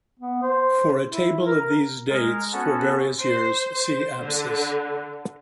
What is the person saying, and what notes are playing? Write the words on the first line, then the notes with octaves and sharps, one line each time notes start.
For a table of these dates for various years, see Apsis.
B3
C5
E4
A#4
A#4
G#3 A#4
B3 C#4 F#4 A4
C5
C5
D3